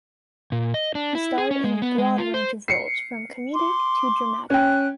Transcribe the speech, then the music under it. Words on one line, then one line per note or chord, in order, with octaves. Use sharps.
He starred in a broad range of roles from comedic to dramatic.
A#2
D#5
D4
E4
G#4
C#4
G#3
B3
G#3
F4
C5
C7 C#7
C6 D6
C#4 G5 F#6